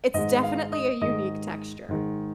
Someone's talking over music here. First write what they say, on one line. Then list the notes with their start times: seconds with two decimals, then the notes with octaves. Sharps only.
It's definitely a unique texture.
0.14 G#2 D#3 G#3 D#5 D#6
0.43 F5
0.72 D#5 D#6
1.01 G#2 D#3 G#3 D#5 D#6
1.89 G#2 D#3 G#3